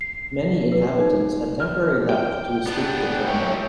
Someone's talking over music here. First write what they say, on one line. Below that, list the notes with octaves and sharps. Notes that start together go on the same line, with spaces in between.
Many inhabitants had temporarily left to escape the turmoil.
C7
B4
D#4
F6
G5
B3 D4
E4 G4 C#5